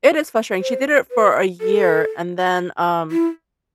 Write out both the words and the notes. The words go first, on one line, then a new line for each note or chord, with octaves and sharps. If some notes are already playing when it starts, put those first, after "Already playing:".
It is frustrating, she did it for a year, and then, um,
C5
B4
A4
E4